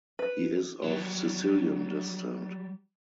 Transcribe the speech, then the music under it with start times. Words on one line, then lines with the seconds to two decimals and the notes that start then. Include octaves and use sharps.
He is of Sicilian descent.
0.19 B4
0.84 F#3 G3